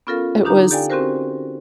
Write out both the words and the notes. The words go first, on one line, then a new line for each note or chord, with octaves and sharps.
it was
B3 C#4 F4 A4 A#4 F5
D3 D4 D#4 G4 A#5
G4 A4 D5 F5 G5 G#5
C4 C#4 F#4 G4 A#4 C5